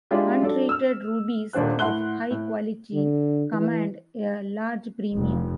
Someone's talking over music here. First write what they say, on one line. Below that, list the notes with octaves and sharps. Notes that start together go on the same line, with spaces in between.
Untreated rubies of high quality command a large premium.
G#3 D4 E4 F4 G4
F#3 D4 A4
E6 F6
D#1 D#2 D4 C5 F#6
A2 F#5 C6 F#6 G7
A2
D3
E3
F1